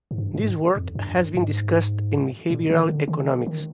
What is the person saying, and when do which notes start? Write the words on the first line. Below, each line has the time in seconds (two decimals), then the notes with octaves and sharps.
This work has been discussed in behavioral economics.
0.11 G#2
0.18 G2
0.38 G#2
0.76 F2
0.95 G2
1.34 G#2
2.50 A#2
2.70 D#3
2.89 D3
3.08 D#3
3.46 D#3